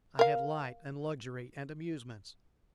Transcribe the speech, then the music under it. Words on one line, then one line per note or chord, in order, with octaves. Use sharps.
I had light and luxury and amusements.
A#4 F5